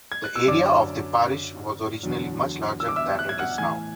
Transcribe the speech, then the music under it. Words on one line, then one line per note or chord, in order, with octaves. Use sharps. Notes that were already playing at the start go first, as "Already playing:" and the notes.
The area of the parish was originally much larger than it is now.
G#6
F#6
E6
F#2 D3 F#3 D5 D6
E2 D3 F#3
E6
D6
E5 E6
F#6
G#6
F#5 F#6
A2 E3 G#5 G#6